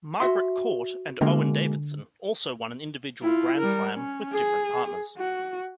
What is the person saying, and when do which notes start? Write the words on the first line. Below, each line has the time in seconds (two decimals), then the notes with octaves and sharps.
Margaret Court and Owen Davidson also won an individual "Grand Slam" with different partners.
0.20 F#4 E5 C6
1.21 B2 D3 G#3 A#3
3.22 E4 F4
3.58 G3 A#4
3.94 C#4
4.32 G#4
5.18 F#4